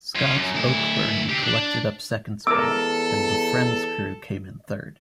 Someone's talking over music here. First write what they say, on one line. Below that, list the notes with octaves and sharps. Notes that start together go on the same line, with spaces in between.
Scotch Oakburn collected up second spot and the Friends crew came in third.
C#4 F4
F#2
D2 E4
C4 G4
D4
E2 A4 A#4 D6 E6